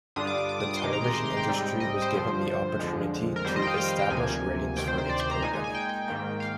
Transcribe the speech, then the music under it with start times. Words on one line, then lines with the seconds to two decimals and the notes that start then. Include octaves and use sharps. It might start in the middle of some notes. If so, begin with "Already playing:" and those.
The television industry was given the opportunity to establish ratings for its programming.
0.16 G2 D3 G3 D4 F4 D#6
0.27 D6
0.38 D6
0.49 D6
0.60 D#6
0.71 D#6
0.77 C6
0.82 C3 D#3 G#3 D#4 D6
0.93 A#5
1.04 C6
1.15 C6
1.26 C6
1.37 G5
1.48 G#2 G3 C4 D#4
1.80 D#5
2.02 C5
2.14 G2 D3 F3
2.79 F2 D3 F3 G#3
3.36 A#4
3.45 F2 D#3 G3 C5
3.56 D#5
3.62 G5
3.67 F5
3.78 G5
3.88 F5
4.00 G5
4.10 D2 C3 F3 A#3 G#5
4.76 D2 C3 D#3 G5
4.88 C5
4.98 C5
5.09 D5
5.20 C5
5.31 A#5
5.42 A#2 G#3 D#4 G#5
5.53 G#5
5.64 G#5
5.74 G5
6.08 G#2 D#3 A#3
6.40 F5